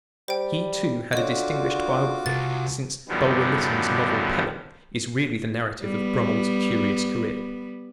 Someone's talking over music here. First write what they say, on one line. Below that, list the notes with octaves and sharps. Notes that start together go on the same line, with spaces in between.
He, too, had a distinguished biographer, since Bulwer-Lytton's novel Pelham is really the narrative of Brummel's curious career.
G3 C5 G5
D3 F4 F#4 C#5 D#5 D6
C2 A6
F#2 D3 D#3 F3 G3 B3
G3 B3